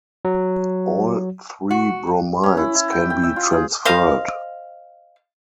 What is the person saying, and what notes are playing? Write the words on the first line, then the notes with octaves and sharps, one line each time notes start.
All three bromides can be transferred.
F#3
F#4
C#4
E4
E4
G5
G5
E5
F4
G#4
C5 D#5 F5